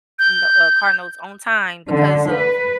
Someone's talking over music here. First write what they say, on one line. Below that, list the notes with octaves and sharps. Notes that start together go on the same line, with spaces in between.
no uh, car notes on time because of,
G6
D3
B4